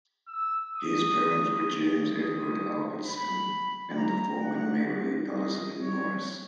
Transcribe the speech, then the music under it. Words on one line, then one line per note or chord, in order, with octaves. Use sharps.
His parents were James Edward Albertson and the former Mary Elizabeth Norris.
E6
D#6
D#6
B5
A#5
F#5
D#5
C#5